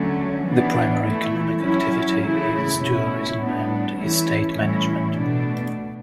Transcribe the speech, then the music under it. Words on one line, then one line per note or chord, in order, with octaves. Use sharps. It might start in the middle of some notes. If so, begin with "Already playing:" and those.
The primary economic activity is tourism and estate management.
Already playing: D3 F#3 A3 C#4
E3 B3 D4
E3 A3 E4
F#3 C#4 E4
C#3 E3 A3 E4
B2 A3 C#4 E4
A2 G3 B3 D4
E3 A3 C#4 E4
A2 E3 G3 C#4 E4
B2 A3 D4